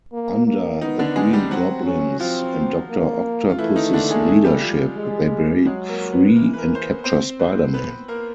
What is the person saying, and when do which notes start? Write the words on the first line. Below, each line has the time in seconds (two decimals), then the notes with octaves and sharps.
Under the Green Goblin's and Doctor Octopus's leadership, they break free and capture Spider-Man.
0.12 A#3
0.47 A#3
0.81 D#3 B3 D#4
0.99 D3 D4
1.16 G#3 G#4
1.33 G3 G4
1.51 F#3 C4 F#4
1.85 C#4
2.20 F3 C4 F4
2.90 A#3
3.50 F4
3.58 E3 A3 E4
3.76 D#3 D#4
3.93 D3 D4
4.10 G#3 G#4
4.28 G#3 G#4
4.45 G3 G4
4.62 F3 F4
4.97 G#3
5.66 F#3 G#3 G#4
5.89 A#3 A#4
6.12 B3 B4
6.35 E3 A#3 A#4
6.53 B4
6.58 A#3 A#4
6.75 C5
6.82 B3 B4
7.04 C4 C5
7.39 B3 B4
7.74 B3 B4
8.08 A#3 A#4